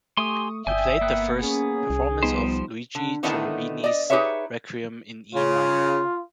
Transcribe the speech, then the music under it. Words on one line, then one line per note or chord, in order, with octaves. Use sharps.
He played the first performance of Luigi Cherubini's "Requiem" in E minor.
A3 G4 G#5 C6 C#6 D#6
G1 D5 E5 G5 G#5 D#6 G6
A#3 B3 F#6
C#4 G#4
C2
F3 G3 B3 D#4 C5
D3
D3 D#3 A3 B3 D#4 E4
D5 D#5
D#4 G4 G#4 B4 C#5 E5
C#3 F4